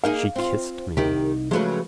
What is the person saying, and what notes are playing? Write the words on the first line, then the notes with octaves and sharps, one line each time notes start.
She kissed me.
A#3 D#4 G#4 F5
C4 F4
C2 D#3 D#4 G4
C#3 F3 F#3 G#3 A3 B4